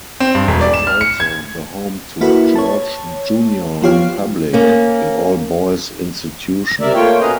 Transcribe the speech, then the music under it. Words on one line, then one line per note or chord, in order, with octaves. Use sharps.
It is also the home to George Junior Republic, an all-boys institution.
C4
G2
E1
D5
E7
F6
C#7
G#6
A#3 E4 F#4 A4 B4
C#5 A5
F3 B3 F4 G4 C#5 F5
A#3 C#4
C3 A#4 D5 E5
A3 A#3 F4 C#5 G5
B2 C#4 A#4 B4 D#5 F5